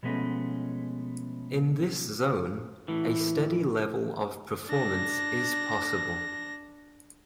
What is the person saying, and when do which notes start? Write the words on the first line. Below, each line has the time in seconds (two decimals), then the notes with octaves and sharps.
In this zone, a steady level of performance is possible.
0.03 B2 F3 G#3 A3 B3 C#4
2.88 A2 E3
4.67 D4 A#6